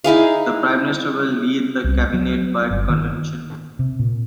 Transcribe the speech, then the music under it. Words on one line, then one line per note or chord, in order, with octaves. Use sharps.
The Prime Minister will lead the Cabinet by convention.
D#4 E4 G#4 F5
C2
F#3
G1
D#3
C3
A#2